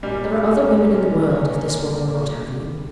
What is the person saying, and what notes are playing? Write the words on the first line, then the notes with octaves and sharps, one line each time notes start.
'There are other women in the world, if this one will not have you.'
A#2 G3 G#3 C#4